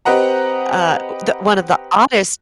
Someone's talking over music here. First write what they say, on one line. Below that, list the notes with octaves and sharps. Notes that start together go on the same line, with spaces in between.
Uh, d one of the oddest
C4 G4 B4 D#5 F#5 A#5